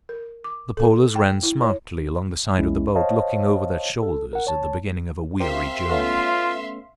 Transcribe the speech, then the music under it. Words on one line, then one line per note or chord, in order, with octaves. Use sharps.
The polers ran smartly along the sides of the boat, looking over their shoulders at the beginning of a weary journey.
A#4
D6
A4
G5
E4
C#5
B1 G#3 C#4 E4
C5 C#5 D#5 F5 A5
A4
A#4 F#5
C#5 A5
C4 G4 A#4 E5 F5 C6
A3 B3 C#4 F4